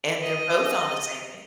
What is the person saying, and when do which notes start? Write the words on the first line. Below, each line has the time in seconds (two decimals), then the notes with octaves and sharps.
and they're both on the same pa
0.22 D#5